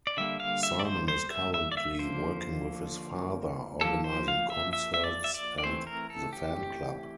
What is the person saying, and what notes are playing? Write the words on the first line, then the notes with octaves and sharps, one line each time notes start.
Simon is currently working with his father, organising concerts and the fan club.
D5
D3 G3 A#3 E5
F5
E5
D5
C5
C5
E5
E5
D5
E5
D3 F3 A#3 C5
F3 A#3 A4
C5
F5
E5
E5
E5
D5
E5
D5
D5
E3 A3 C4 C5
A#4
A4
G4